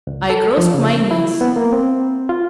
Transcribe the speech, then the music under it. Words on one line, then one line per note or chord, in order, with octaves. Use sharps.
I crossed my knees.
C#2
A4
F3
C#3
E4
B3
A#3
C4
F4